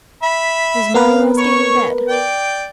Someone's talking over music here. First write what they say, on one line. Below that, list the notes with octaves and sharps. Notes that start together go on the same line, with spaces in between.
This morning I stayed in bed.
E5 B5
B3 A#4 B4 F5
C#5 C#6
D5 G5